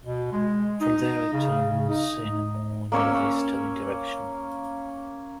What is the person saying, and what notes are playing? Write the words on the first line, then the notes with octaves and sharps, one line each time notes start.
From there it turns in a more northeasterly direction.
B2
G#3
D#4
C#3
C#3
D#4
A#3 C#4 C#5 E6